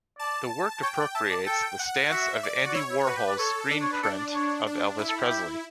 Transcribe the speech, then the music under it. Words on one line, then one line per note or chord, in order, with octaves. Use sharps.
The work appropriates the stance of Andy Warhol's screen print of Elvis Presley.
D5 A5
C#5 G5
D5
E5 A5
D5
A4 G5
F#5
F#4 E5
D5
F#4
E4 C#5
E4
F#4 B4
G4
D5
A4 C#5
D4
C#5
B4
D4 A4
D5
C#5
D4
E4
A4
G4
E4